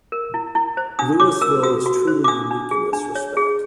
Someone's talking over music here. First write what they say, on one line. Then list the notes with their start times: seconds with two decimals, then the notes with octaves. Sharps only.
Lewisville is truly unique in this respect.
0.12 A#4
0.34 E4
0.55 E4
0.77 C5
0.99 D4 D#6
1.20 C#5 D6
1.41 A#4 E6
1.63 F#4 D#6
1.86 F#4
2.07 C5
2.24 D6
2.28 D4 D#6
2.51 D4
2.71 G#4
2.93 D4
3.15 C#5
3.37 G#4